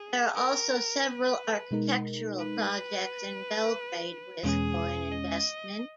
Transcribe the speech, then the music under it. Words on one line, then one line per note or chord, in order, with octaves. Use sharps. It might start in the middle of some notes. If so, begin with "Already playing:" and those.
There are also several architectural projects in Belgrade with foreign investment.
Already playing: G#4
A#4
B4
B2 G#3 D#4 A#4
B4
E2 B2 G#3 C#4 G#4
D#5